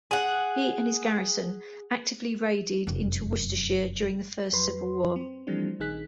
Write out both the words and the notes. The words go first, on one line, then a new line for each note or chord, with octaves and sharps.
He and his garrison actively raided into Worcestershire during the First Civil War.
G#4 F#5
F1 F#2
F2 F#3 B4 C6
C4
E3 F3 G3 A3 C4 D4
A#1 D#3 D#4 G#4 F#6 B6